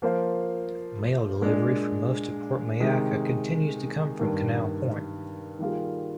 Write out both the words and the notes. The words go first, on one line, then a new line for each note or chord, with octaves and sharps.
Mail delivery for most of Port Mayaca continues to come from Canal Point.
F3 A#3 F4 C5 F5
A#2 G#3 D4
C3 D#3 G#3 D#4
G2 D#3 A#3
D#3 G3 A#3 F4 G#4